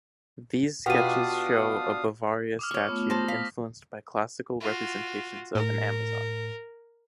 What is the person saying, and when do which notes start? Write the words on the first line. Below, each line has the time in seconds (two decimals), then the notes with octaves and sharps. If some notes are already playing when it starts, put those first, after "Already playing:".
These sketches show a Bavaria statue influenced by classical representations of an Amazon.
0.86 B2 D4 F4 G4 F5 F#5 D#6 D#7
2.59 D6 D#6 F6
2.71 C#5 C#6
2.87 A3 B3 F4
3.10 C5 A5 A#6
3.28 F5 B6
4.60 F4 F#4
5.55 A2 A#4